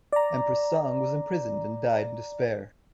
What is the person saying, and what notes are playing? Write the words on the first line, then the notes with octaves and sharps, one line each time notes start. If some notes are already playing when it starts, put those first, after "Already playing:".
Empress Song was imprisoned and died in despair.
D5 A#5